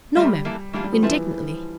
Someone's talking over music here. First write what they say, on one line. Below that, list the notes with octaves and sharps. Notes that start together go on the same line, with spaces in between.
"No, ma'm," indignantly.
G3 A#3 F4 A#4 E5
E3 A#3 E4 A4
E3 G3 A#3 D4 F4
G3
F3
E3 C4 F4 A4 E5